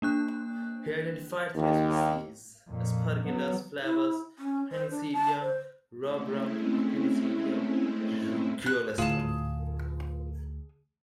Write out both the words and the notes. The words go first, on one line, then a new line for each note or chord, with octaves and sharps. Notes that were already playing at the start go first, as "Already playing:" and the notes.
He identified three species - Aspergillus flavus, Penicillium rubrum and Penicillium rugulosum.
A#3 D4 F#6
D#2
F2 A#2
F#3 B3
E4
C#4
C5
D4
A5
C5
G#3 A3 C4 C#4 E4
F#6
D2 A2 F4 G#4 A5